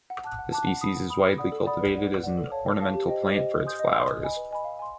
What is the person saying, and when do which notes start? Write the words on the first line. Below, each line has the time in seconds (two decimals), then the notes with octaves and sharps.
The species is widely cultivated as an ornamental plant for its flowers.
0.10 F#5
0.24 A5 D6 F#6
0.39 F#5
0.52 A5 D6 F#6
0.66 F#5
0.81 B5 D#6
0.95 F#5
1.10 B5 D#6
1.24 A4
1.38 D5 F#5 B5 D#6
1.52 A4
1.66 D5 F#5 B5 D#6
1.81 B4
1.95 D5 F#5
2.09 B4
2.23 D5 F#5
2.38 A4
2.52 C#5 F5 A5
2.66 A4
2.81 C#5 F5 A5
2.94 G4
3.08 C5 D#5 G5
3.22 G4
3.36 C5 D#5 G5
3.51 D#5
3.66 G#5 C6 D#6 G6
3.79 D#5
3.93 G#5 C6 D#6 G6
4.07 B4
4.21 D#5 G#5 B5
4.36 B4
4.51 D#5 G#5 B5
4.64 F5
4.79 G#5 C6